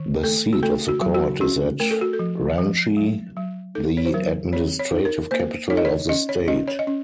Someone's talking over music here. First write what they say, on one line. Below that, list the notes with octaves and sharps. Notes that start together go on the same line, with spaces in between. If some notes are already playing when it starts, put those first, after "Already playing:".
The seat of the court is at Ranchi, the administrative capital of the state.
Already playing: D#3
A3 A4
F#4
A3 A4
F#4
F#3
F#4
C#4 F#4
A3 A#4
A4
F#4
A4
F3
F3
F#3
F#3
D#4 A4
C#5
C5
F#3 A#4
C4 C#5
C#5
D#4
A#4
A#3 C5
D#4 C#5
D#5
C#5
C#4 D#5
C#5
C#4 D#5
C#5
D#5
C#4